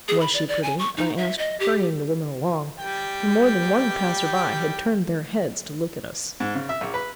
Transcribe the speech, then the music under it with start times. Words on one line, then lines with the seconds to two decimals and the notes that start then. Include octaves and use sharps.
"Was she pretty," I asked, hurrying the woman along, for more than one passer-by had turned their heads to look at us.
0.08 G#4
0.21 B5
0.34 D5
0.48 D5
0.63 G#5
0.79 C#6
0.97 D#4
1.18 E5
1.38 D#5
1.60 G4
2.79 G3 G5
6.40 G#2
6.55 C#3
6.69 E5
6.81 A#1
6.94 B4